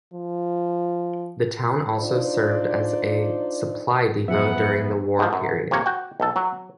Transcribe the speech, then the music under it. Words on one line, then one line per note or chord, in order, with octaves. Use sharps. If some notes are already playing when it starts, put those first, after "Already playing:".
The town also served as a supply depot during the war period.
F3
D4 D#4 F4 C5 D5
F#2 F3 B3 G#4 C5 E5 F#5
G#2 F3
F#2
C3 A#3 C#5
F#4 G5
B1 A4
F#3